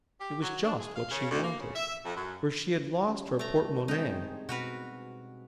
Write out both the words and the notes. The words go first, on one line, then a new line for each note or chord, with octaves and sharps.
It was just what she wanted, for she had lost her porte-monnaie.
G4
F#3
D4
G#4
F5
C#3
D2
A#3
C#3
E5
F2
F#2
G3 C#4
A3 A#5
G#3 C4 D#4 G#4 G5
B2 F#4 A#4 B4